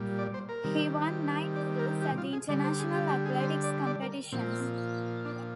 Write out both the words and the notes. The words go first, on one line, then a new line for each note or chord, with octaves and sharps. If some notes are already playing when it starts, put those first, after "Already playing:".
He won nine medals at the International athletics competitions.
Already playing: A#2 G3
D5
C5
A#4
C3 D#3 G3
D5
A#4
G4
F4
G#4
D3 G3 D5
C5
G#4
G4
G4
G#4
C5
D5
D5
A#4
A#2 F3 C4
D4